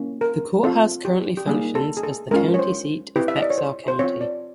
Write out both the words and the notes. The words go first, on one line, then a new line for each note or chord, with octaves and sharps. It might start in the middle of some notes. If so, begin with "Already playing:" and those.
The Courthouse currently functions as the county seat of Bexar County.
Already playing: A#3 C#4 E4
A#4
C4 F4 A4
G4
G4
G3 A#3 D#4 G#4
A4
G#4
A4
G#3 C#4 F4 A#4
C#5
C5
C4 E4 G4 B4
E5
D#5
D5
C#5
C5
C5
C4 F4 C#5
D5